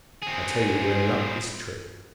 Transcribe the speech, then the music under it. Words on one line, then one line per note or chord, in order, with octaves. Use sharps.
I tell you, we're in luck this trip.
C4 G#4